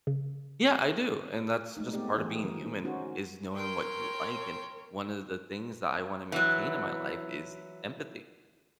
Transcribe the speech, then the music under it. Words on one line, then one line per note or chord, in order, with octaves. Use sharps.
Yeah, I do, and that's just part of being human is knowing what you like and one of the things that I wanna maintain in my life is empathy.
C#3
G#3 A3 D#4
A3 B3 C4 G4 D5
E3 A3 G#4
D#3 F3 A#4
C#4 D#4 F#4 A#4 C5
A#4 C#5 G5 C6
E3 F#3